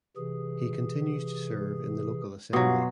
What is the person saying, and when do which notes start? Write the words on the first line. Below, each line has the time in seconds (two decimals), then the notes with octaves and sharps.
He continues to serve in the local assembly.
0.17 C3 E3 G#4
2.53 B2 F#3 F4 G4 F5